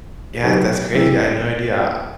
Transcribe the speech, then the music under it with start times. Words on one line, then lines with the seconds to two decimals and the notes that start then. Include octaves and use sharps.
yeah, th that's crazy, I had no idea
0.42 B2 F#3 B3 D#4 G4
0.94 C3 E3